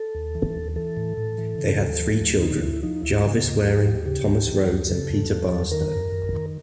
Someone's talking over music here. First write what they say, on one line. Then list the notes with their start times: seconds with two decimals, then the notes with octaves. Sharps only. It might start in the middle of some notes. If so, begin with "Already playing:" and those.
They had three children: Jarvis Waring, Thomas Rhodes, and Peter Barstow.
Already playing: A4
0.15 D#2
0.35 E3
0.55 D#2
0.76 E3 A4
0.97 A2
1.17 A2
1.38 E3
1.58 C#3
1.79 D#2
2.00 F3
2.20 D#2
2.41 D3 D#4
2.62 D2 E4
2.83 F3 D#4
3.02 D2 E4
3.23 C#3
3.44 D#2
3.64 F3 G4
3.85 D#2
4.06 C#3 G4
4.27 D2
4.47 E3
4.68 D2
4.89 C#3 A4
5.09 E2
5.30 F3
5.50 E2
5.71 D#3 A#4
5.92 F#2
6.12 F#2
6.33 D#3